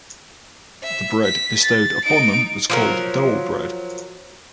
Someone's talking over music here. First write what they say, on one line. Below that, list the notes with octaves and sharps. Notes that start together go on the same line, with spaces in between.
The bread bestowed upon them was called dole-bread.
E5
B6
A6
D#4 D7
F3 F#3 A#4